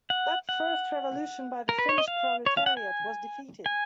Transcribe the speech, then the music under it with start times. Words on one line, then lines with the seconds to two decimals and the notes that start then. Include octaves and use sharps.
That first revolution by the Finnish proletariat was defeated.
0.10 F#5
0.49 F#5
1.69 A#4
1.79 B4
1.89 C#5
1.98 D#5
2.08 F5
2.46 C#5
2.57 F5
2.66 F#5
2.77 G#5
3.66 G#5